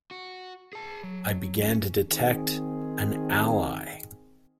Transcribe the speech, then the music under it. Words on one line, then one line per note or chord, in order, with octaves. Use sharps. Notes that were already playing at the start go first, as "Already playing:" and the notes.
I began to detect an ally.
F#4
G#4 A5
F#3
C#4
D#3 C4 G#4